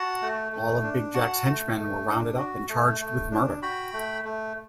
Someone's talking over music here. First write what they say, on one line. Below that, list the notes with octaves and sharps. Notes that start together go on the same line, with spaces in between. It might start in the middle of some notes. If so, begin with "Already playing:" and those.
All of Big Jack's henchmen were rounded up and charged with murder.
Already playing: F#4 F#5 A5
A3
A3
D4
F#4 F#5 A5
A3
A3
D4
F#4
A3
A3
D4
F#4 G5 B5
A3
A3